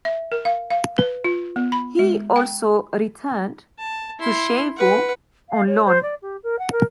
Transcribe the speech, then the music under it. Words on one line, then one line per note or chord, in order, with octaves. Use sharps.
He also returned to Chievo on loan.
E5
A#4
F5
F5
B4
F4
B3
B5
G#3
G5
A5
E4 C6
B4 F#5
F5
C#5
C5
D5
G4
A#4
F#5
A#4